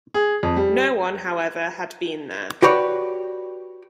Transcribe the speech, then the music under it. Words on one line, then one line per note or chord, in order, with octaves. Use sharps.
No one, however, had been there.
G#4
F2
G3
F#4 G4 B4 C#5 D5